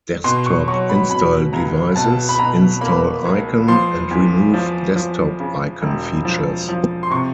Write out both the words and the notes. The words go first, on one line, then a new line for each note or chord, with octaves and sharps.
Desktop 'Install devices', 'Install icon' and 'Remove desktop icon' features.
B2 C6
C#6
F#3 C#6
B5
B2 B5
C#2 A#5
B2 A5
B5
B2 A#5
A#3 B5
C#2
F3 C6
E2
F3
F3
C#3
E1
F3
F3
C6
C3 C#6